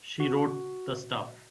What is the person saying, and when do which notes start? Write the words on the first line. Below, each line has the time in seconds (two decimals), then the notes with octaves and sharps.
She wrote the stuff.
0.20 F#4